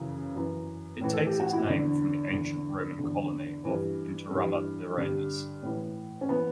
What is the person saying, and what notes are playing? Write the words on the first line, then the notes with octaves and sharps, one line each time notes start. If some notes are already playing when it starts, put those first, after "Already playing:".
It takes its name from the ancient Roman colony of Interamna Lirenas.
Already playing: F#2 C#3 E3
F#2 E3
A2 E3
A4
G4
F#4
E4
E2 D3 D4
E2 D3
D3
E2
G2 E3
G2 E3
G2 D3
A2 E3
C#4
E3 B3